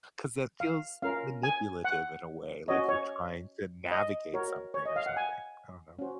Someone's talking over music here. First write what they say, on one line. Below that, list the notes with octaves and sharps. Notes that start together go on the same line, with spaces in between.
'cause that feels manipulative in a way, like you're trying to navigate something or something. I don't know.
F5
C#4 F4 A#4 F5
G#5
F#5
C#4 F#4 C#5 D#5
C#5
D#5
F#4 A#4 C#5
C#5
D#5
F5
F#5
G#5
C#4 F#4 C5